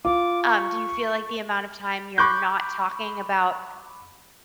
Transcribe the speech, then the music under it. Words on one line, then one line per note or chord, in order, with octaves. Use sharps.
Um, do you feel like the amount of time you're not talking about
F4 D6
C#6
B5 C#6 D6 F#6 G6